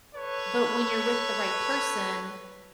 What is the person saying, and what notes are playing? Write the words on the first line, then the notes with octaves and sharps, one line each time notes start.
but when you're with the right person,
A4 B4 C#5